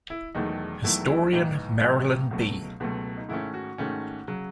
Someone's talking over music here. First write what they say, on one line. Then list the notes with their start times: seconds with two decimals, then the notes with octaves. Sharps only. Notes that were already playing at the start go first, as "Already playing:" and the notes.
Historian Marilyn B.
0.10 E4
0.35 E1 E2 D#3 F#3 A3 D#4
0.84 E1 E2 D#3 F#3 A3 E4
1.08 E4
1.32 B1 A2 E3 D#4
1.82 B1 A2 E3
2.31 C#2 B2 F#3 A3
2.80 C#2 B2 F#3 A3
3.17 D#4
3.29 G#2 D#3 A3 C#4 E4
3.54 F#4
3.78 G#2 D#3 A3 C#4
4.28 C#3 F#3